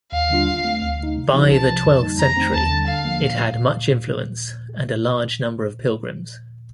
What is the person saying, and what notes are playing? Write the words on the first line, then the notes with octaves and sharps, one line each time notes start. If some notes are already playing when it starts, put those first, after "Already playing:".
By the twelfth century, it had much influence and a large number of pilgrims.
D#2 F5
D3 G3 D4 F4
D#3
A3 C4
D2
D3 A3 D#4
C3
F3 C4 D#4 G4
C2 A5
C3 F3
F2
D3 G3 A#3 D#4
F2 A#5
D#3 A3 C4 D#4
D#2 A5
D3 G3
D3 F5
F3 A#3
A#2